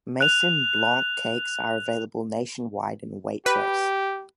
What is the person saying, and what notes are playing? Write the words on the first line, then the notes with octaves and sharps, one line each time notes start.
Maison Blanc cakes are available nationwide in Waitrose.
F#6 F7
G4 B4